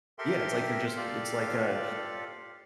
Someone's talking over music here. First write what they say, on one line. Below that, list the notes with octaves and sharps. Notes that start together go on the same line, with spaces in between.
Yeah, it's like you're just it's like a
G4 A4 A#4 E5 G5 C6
F4 G4 A4 D5 F5